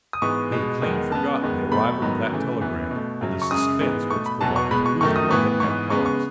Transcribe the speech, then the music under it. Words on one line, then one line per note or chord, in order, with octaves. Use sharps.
He had clean forgotten the arrival of that telegram and the suspense which the long perusal of it had caused.
D#6
G#2 E3 G#3 B3 C#6
B2 G#3 B3
E2 D#3 G#3 B3
C#3 G#3 B3 A5
E2 D#3 G#3 B3
E2 B2 F#3 A3 B5
G#2 D#3 F#3 B3
C#3 E3 A3
F#2 E3 B3
B2 A3
F#2 C#3 F#3
C#6
F#2 C#3 G#3 D#6
G#2 E3 G#3 B3
B2 A3 C#6
B5
E2 B2 F#3 B3 A5
C#6
B2 G#3 B3 B5
C#6
F#2 D#3 F#3 A3 C#6
D#6
A2 E3 B3 C#6
G#2 E3 B3 C#6
C#3 G#3 B3 C#6
C#6